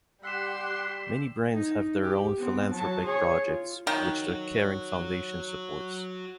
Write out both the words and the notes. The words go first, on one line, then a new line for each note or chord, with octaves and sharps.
Many brands have their own philanthropic projects, which the Kering Foundation supports.
G3 G4 F#5 C6 E6 B6 E7
D#4
G4
B3 C4
F#3 A5
G#4 C#5
F4
D#3 F#4 C#5